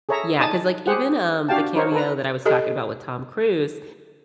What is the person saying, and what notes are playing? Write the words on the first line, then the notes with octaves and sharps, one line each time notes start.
Yeah, 'cause, like, even, um, the cameo that I was talking about with Tom Cruise,
G#4 A4 C#5 E5 A#5
D#4 D5 G#5 A5 D#6
G4 G#4 C5 F#5
D4 F#4 G4 F5 G5 A5
D#4 A#4 C5 C#5
A4 B4 A#5
G4 A4 D#5